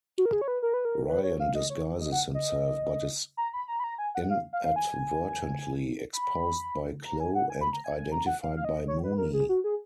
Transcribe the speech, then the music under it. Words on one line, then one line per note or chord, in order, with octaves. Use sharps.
Ryan disguises himself, but is inadvertently exposed by Chloe and identified by Mooney.
F#4
A#4
G#4
C#5
B4
A#4
B4
A#4
B4
C#5
F5
D#5
C#5
D#5
F#5
D#5
A#5
B5
A#5
B5
A#5
G#5
F#5
F5
F5
F5
G#5
B5
A#5
G#5
F#5
G#5
B5
A#5
G#5
G#5
A#5
F#5
F5
F5
D#5
C#5
B4
A#4
G#4
F#4
G#4